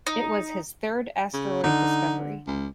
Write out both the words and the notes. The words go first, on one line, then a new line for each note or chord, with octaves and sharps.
It was his third asteroid discovery.
D#4
C#3
D3 D#4
C#2